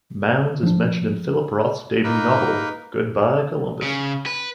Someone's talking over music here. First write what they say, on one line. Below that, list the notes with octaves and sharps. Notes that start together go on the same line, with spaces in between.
Mounds is mentioned in Philip Roth's debut novel, "Goodbye, Columbus".
F3 D4
A#3 D#4 A#4 B4
C#3
B4